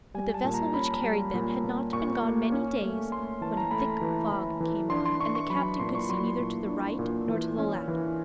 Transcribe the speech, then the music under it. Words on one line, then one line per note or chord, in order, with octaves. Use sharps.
But the vessel which carried them had not been gone many days when a thick fog came on, and the captain could see neither to the right nor to the left.
G3 G#5
A5
A#2
A#5
C#4 B5
G3
A#2
A#2
A#2 C#6
A#3
C#4
A3
A3 C6
E3 A5
A#5
A3 B5
E3
E3
E3
D4 C6
C6
D4 C#6
C#6
F#3 B5
A#2 C6
C#6
F#3 C6
A#2
D4
A#2
E3
C#4
E3